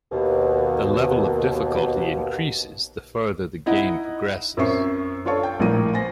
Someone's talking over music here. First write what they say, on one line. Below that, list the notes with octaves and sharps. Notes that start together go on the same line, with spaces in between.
The level of difficulty increases the further the game progresses.
D#2 B2
D#4 E4 D#5 F#5
F#2 C4 C#4 E5 C#6 C7
D4 F4 A4 C#5 C#6
G5
A#1 A2 F3 A#4 D#7
C5 G#5 A#6